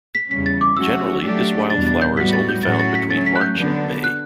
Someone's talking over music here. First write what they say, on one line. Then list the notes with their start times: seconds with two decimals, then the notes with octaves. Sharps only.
Generally this wildflower is only found between March and May.
0.15 B6
0.30 E2 C#3 G3 C#4 B6
0.46 A6
0.61 D6
0.77 F#3 A3 C#4 F#4 E6
1.23 F#3 A3 D4 G4 D5
1.70 E2 B2 G3 D4 A6
1.87 A6
2.02 G6
2.17 A2 G3 B3 F#4 B6
2.33 A6
2.49 G6
2.63 A2 F#3 C#4 F#4 A6
2.79 A6
2.95 B6
3.10 F#3 A3 C#4 A6
3.26 B6
3.36 F#6
3.41 G6
3.56 D3 F#3 B3 D4
4.04 F#6